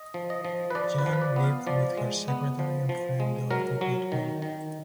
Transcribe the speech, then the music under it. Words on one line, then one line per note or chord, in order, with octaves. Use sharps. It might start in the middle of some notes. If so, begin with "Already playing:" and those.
Jean lived with her secretary and friend Dorothy Goodwin.
Already playing: D#5
F3
D#5
F3
B4
F3 D5
B4
F3
B4
D5
B3
F5
F3 D5
G#3
B3
F3
F3
G#3
F#3 A#4
F#3
D#3
D#3